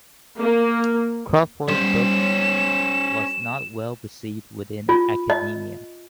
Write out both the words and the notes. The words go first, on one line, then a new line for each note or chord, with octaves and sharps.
Crawford's book was not well received within academia.
A#3
G3 C#4 C5 E7
F4
D#5